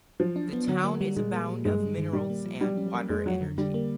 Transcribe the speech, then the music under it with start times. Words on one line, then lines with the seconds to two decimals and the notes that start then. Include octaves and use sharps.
The town is abound of minerals and water energy.
0.20 F3 F#3
0.36 D4
0.53 B3
0.68 D3 F#3
0.84 A#3
1.01 G3
1.16 A#2 G#3
1.33 A#3
1.49 F#3
1.65 G2 G#3
1.80 G3
1.97 D#3
2.12 A#2 G3
2.30 A#3
2.46 F3
2.61 F#3 G3
2.77 C#4
2.94 A#3
3.10 F2 G#3
3.26 F3 F#3
3.41 D3
3.58 D3 G3
3.74 A#3